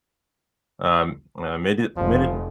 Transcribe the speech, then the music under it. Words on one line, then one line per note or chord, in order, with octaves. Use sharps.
um, uh, made it made it
F1 F3